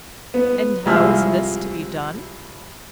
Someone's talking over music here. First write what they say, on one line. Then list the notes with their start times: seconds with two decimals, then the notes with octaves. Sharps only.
"And how is this to be done?"
0.34 B3
0.86 C2 F3 G#3 E5 F6